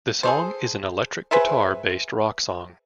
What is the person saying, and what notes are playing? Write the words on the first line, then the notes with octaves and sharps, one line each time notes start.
The song is an electric guitar-based rock song.
G#4 A4 C5
G#4 B4 C5 E5